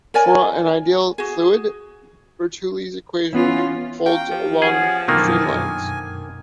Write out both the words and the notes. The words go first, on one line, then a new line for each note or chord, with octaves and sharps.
For an ideal fluid, Bernoulli's equation holds along streamlines.
A#4 C#5 D5 G#5
F#4 G#4
E3 B3 C#4 F4
F5 G5 A#5 C#6
F3 G4
B3 C#4 G#4
F#2 B2 D3 D#3 A#3 G#5